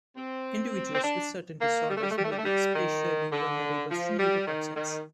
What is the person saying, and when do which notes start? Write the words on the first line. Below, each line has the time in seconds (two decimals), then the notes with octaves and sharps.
Individuals with certain disorders may be especially vulnerable to neurotoxins.
0.17 C4
0.95 C4
1.04 D4
1.61 A#3
1.90 G3
1.97 A3
2.03 G3
2.11 A3
2.18 G3
2.24 A3
2.31 G3
2.38 A3
2.45 G3
2.75 D#3
3.32 D3
3.90 F3
4.19 G3
4.47 D#3
4.76 D#3